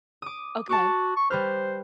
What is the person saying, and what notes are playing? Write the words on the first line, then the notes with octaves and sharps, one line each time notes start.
o o Okay.
D6 D#6
F#4 A5 C#6 D6
C#6
G3 B4 C5 F6